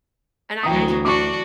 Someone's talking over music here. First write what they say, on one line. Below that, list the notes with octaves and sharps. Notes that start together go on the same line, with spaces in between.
And I I do
D2 E3 F#3 G5 A#5 D#6
D4 F#4 C#6 D6